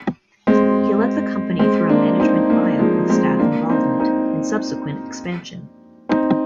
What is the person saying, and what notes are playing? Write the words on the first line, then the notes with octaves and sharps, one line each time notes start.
He led the company through a management buyout with staff involvement, and subsequent expansion.
G#3 C4
G#3 C4
A#3 D4
C4 D#4
A#3 D4
F3 G#3
G#3 C4
A#3 D4
C4 D#4
C4 D#4
C4 D#4